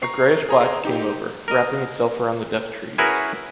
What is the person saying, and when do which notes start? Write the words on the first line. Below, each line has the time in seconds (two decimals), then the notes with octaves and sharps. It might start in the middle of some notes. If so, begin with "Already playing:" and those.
A greyish black came over, wrapping itself around the deaf trees.
0.03 A#5 C#6 C7
0.49 G#4 A#5 C6
0.85 D#4 G4
1.48 A#4 D#5
2.98 C#4 E4 F#4 G#4 A#4 B4